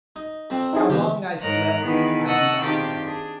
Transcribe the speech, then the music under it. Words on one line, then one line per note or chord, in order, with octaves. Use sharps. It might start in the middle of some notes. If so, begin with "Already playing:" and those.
How long I slept I do not know.
D#4
F2 C4
D#4 E4 G#4
B2 D3 E3 F3 G4
G#2 A#4 C#5 D#5 A#5 F#6
D#3 E3 B3 G#4
D#5 F#5 A5 C#6 D#6 E6
D#3 C4 D4 F4 G4 G#4
D4 G#4